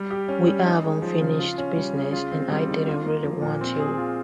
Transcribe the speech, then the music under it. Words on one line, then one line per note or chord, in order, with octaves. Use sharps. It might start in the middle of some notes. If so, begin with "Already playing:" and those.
We have unfinished business, and I didn't really want to leave here.
Already playing: G3
G4
C#4
G3
D#4
G#3
F3
C#3
F4
C#4
G3
C#3
F4
C4
G3
D#3
F4
A#3
F3
A#2
C4
G#4
F4